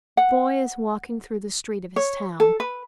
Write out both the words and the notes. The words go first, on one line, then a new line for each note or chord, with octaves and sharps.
The boy is walking through the street of his town.
F#5
C#5
A4
B4